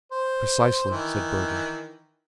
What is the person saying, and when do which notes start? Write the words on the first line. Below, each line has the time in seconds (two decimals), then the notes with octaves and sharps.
"Precisely," said Burger.
0.12 C5
0.90 D#3 E3